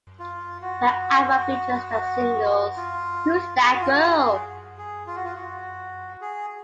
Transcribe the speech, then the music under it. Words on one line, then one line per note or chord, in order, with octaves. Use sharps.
The album features the singles Who's That Girl?
F4
F#4
F4
G#4
F#4
F4
F#4
G#4
G#4
F4
F#4
F4
F#4
G#4